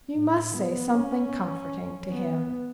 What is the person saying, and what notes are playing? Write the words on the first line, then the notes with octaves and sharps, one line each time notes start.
You must say something comforting to him.
A2
B3
C#4
B3